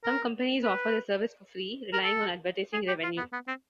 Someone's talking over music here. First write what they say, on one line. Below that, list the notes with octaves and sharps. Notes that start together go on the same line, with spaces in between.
Some companies offer the service for free, relying on advertising revenue.
A#4
B4
A#4
A4
G#4
G4
F4
B3
B3
C4